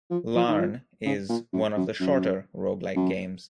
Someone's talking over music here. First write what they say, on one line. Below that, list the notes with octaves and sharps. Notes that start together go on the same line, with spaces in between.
"Larn" is one of the shorter roguelike games.
F3
F3
D#3
F3
C#3
A#2
F#2
F#2
F#2
F#2